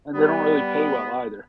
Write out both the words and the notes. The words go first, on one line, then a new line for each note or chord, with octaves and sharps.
And they don't really pay well either.
G3 B3